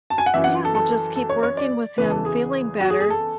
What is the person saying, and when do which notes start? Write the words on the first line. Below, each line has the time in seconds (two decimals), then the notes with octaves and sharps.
Yeah, we'll just keep working with him feeling better,
0.10 A5
0.18 G#5
0.26 F#5
0.34 F#2 E3 E5
0.44 F#5
0.65 A4
0.75 A4
1.16 A4
1.29 C#5
1.43 C#5
1.57 D5
1.98 E2 C#3 E3 B4
2.11 A4
2.25 G#4
2.80 F#4
2.90 G#4
3.00 G#4
3.10 A4